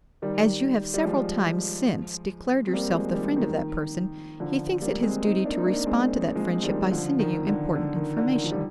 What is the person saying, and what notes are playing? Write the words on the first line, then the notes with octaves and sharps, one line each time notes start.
As you have several times since declared yourself the friend of that person, he thinks it his duty to respond to that friendship by sending you important information.
D#3 G3
G3
F3 G#3
C4
G3 A#3
F3 G#3
D#3 G3
D#3
D3 F3
G3 A#3
G#3 C4
C4 D#4
A#3 D4
D#4
A#3 D4
G#3 C4
F3 G#3
D#3 G3
D3 F3
D#3
D3
D3
D#3
D3
D#3
F3
G3